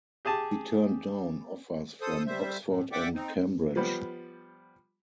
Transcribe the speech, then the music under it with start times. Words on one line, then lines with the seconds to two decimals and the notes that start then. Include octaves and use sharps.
He turned down offers from Oxford and Cambridge.
0.25 G4 G#4 G#5 A5
2.01 A4 C5 D#6
2.26 G3 C5 E5
2.66 A2
2.92 D5 E5 F#5 G5 D6
3.14 C4 D#4
3.76 F3 G3 B3